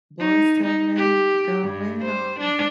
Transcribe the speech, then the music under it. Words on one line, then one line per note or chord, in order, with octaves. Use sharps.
Boyz II Men going on
D#4
D#4
G4
G2
C5
D4